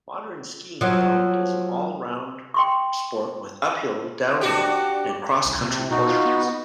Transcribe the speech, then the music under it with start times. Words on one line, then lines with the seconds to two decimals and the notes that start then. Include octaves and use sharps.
Modern skiing developed as an all-round sport with uphill, downhill and cross-country portions.
0.81 F3 F#3
2.54 G5 C6 C#6
4.41 D4 F#4 G4
5.46 C2
5.61 C3
5.91 B2 D#4 F#4
6.07 F4
6.26 B3